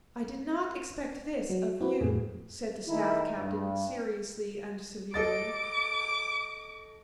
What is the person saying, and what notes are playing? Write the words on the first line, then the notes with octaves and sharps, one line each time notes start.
"I did not expect this of you," said the staff captain seriously and severely.
F#3
C4 E4 F#4 G4 B4
F2 A2 G#4
D#3 G#3 A3 D#4 E4
G2
A4 D#5 D6 A6